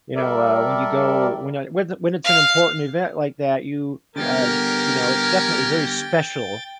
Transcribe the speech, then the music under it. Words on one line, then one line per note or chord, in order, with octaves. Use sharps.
You know, uh, when you go when a whe th when it's an important event like that, you, uh, you know, it's definitely very special
G3 A4 A#4 D5 E5
F5
D3 G3 A#3 B3 C#4 A#4 G5 A6